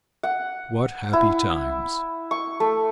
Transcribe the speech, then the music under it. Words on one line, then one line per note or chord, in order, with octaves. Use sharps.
What happy times!
F#5
E4
C#6
A3